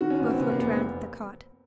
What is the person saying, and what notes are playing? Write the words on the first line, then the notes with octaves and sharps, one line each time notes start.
Both looked round at the cot.
D#3 F#4
C#4
A1 B3
C4
C3 B3
A#3
F1 B3
C4